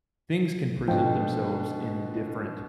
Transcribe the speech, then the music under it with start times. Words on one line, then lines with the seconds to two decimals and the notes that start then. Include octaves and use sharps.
things can present themselves in different
0.88 G#2 B2 D3 F3 G5